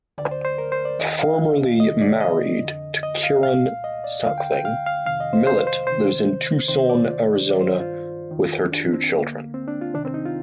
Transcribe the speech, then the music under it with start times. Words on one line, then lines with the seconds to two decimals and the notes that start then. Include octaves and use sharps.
Formerly married to Kieran Suckling, Millet lives in Tucson, Arizona with her two children.
0.18 D2 D3 D5
0.31 C5
0.45 C5
0.58 A#4
0.72 C5
0.85 D5
0.99 D#2 D#3 D#5
1.19 F5
1.80 C2 C3 D#3 D#5
2.02 D5
2.21 D#5
2.63 F2 D3
3.03 D#5
3.23 F5
3.43 C2 A#2 F5
3.84 D#5
4.04 D5
4.24 D#2 D3 F5
4.38 G5
4.52 G5
4.65 F5
4.86 F5
5.06 F2 C3 D#3 F5
5.20 D#5
5.33 C5
5.47 C5
5.67 C5
5.87 C2 C3 D#3 C5
6.68 D2 C3 D#3 C5
6.90 D5
7.50 G2 D5
7.54 D#3
7.61 C5
7.80 F4
8.31 F2 D#3
8.72 D4
8.93 C4
9.12 D2 D3 A#3
9.54 C4
9.68 D4
9.81 F4
9.94 C2 C3 D#3 D4
10.05 C4
10.14 D#4
10.25 F4